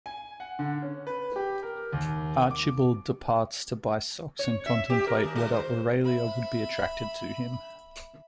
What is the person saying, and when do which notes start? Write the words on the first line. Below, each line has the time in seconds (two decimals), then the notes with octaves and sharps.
Archibald departs to buy socks and contemplate whether Aurelia would be attracted to him.
0.06 G#5
0.40 F#5
0.59 D3
0.82 C#4
1.07 B4
1.36 G4
1.63 A#4
1.92 D#2
2.51 D6
4.39 C#5
4.66 E5
4.90 G4
5.07 A#4
5.24 D#3
5.35 G#3
5.52 C5
6.04 E5 B5